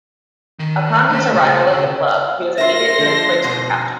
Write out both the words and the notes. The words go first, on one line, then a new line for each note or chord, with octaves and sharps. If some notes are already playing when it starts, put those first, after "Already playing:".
Upon his arrival at the club, he was immediately appointed captain.
D#3
A3 A5
C#3
C#3
F4 A#4 E5 C6 A#6
D3 F3 F4
F2 G#2 B2